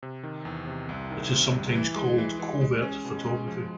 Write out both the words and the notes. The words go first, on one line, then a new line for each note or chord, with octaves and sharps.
It is sometimes called covert photography.
C3
D#3
E2
C3
C2
D#3
C3
G3
E3
G#3
E3
E3
G#3
C#4
B2
G#3
F3